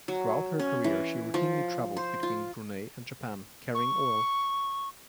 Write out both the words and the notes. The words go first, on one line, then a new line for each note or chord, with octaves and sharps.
Throughout her career she routinely traveled between Brunei and Japan carrying oil.
F#3
C#4
E3
F3
C5
F4
C#6